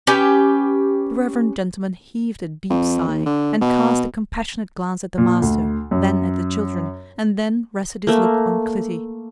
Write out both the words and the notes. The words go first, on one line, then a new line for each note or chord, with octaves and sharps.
The reverend gentleman heaved a deep sigh, and cast a compassionate glance at the master, then at the children, and then rested his look on Clytie.
C#4 G4 B4 G5
F2
D#2
D3
B2
A#2
D2
F#2
A3 A#3